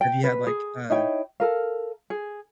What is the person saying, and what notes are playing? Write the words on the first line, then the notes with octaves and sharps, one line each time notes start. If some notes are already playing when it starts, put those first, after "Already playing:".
Have you had, like, uh,
G5
B4
G#4
D#4 E4 C#5 G5
A4 A#4 F5
G#4